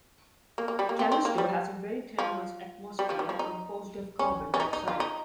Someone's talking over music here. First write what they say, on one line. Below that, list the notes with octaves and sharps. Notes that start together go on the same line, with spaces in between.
Callisto has a very tenuous atmosphere composed of carbon dioxide.
A#3
A#3
G3
A#3
C4
C4
A#3
G3
F3
G3
F3
G3
F3
D#4
C#4
C#4
D#4
D#4
F4
D#4